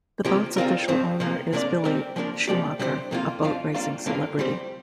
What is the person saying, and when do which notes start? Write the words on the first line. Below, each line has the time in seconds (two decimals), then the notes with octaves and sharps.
The boat's official owner is Billy Schumacher, a boat racing celebrity.
0.25 C3 F3 A#3 G4
0.57 G3 C4 F4 A#4
0.88 G2 F3 C4
1.20 C3 F3 A#3
1.53 C3 A#3 D4 A#4 D5
1.84 G3 C4 A#4
2.16 F3 A#3 D4 A#4
2.48 C3 F3 A#3 G4 D5
2.79 C3 G3 D4 G4 C5
3.11 F2 C3 A#3 F4
3.43 F2 F3 D4 F4
3.74 G3 A#3 D4 F4
4.06 G2 D3 A#3 F4 A#4
4.39 G3 C4 G4 C5